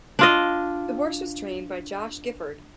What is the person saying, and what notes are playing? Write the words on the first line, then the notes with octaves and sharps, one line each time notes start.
The horse was trained by Josh Gifford.
D4 F4 D#5